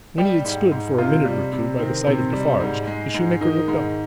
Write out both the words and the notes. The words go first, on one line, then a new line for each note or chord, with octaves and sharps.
When he had stood, for a minute or two, by the side of Defarge, the shoemaker looked up.
G3 G4
G#2
G#2
C3 F4
G3
C3
D#3 C4
C3
G3
G#2
G#3
G#2
D#3 D#4
G#2